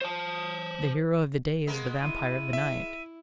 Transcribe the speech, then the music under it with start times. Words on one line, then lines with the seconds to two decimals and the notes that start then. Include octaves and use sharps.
The hero of the day is the vampire of the night.
0.01 C5 A5
1.67 G#3 A#3 B3
2.01 E4 D#7
2.53 E5